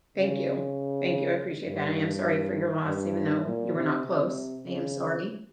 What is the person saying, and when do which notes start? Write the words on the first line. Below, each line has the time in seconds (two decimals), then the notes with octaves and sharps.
Thank you. Thank you. I appreciate that. I am sorry for your loss even though you were not close. I am sorry.
0.18 C#3
1.67 G2
2.86 G2
3.46 A#2
3.76 C3
4.06 C3
4.66 C#3